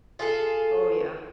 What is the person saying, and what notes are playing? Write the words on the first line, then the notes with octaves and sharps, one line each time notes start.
Oh, yeah.
F4 G#4 A4